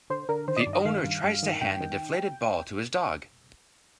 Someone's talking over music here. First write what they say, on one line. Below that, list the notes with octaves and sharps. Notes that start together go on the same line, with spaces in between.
The owner tries to hand a deflated ball to his dog.
D3 C5
D3 A#4
D#3 C5
D#5
D5
G2
D#5
D#3 F5
G2
G2
D#3
G2 G5
D#3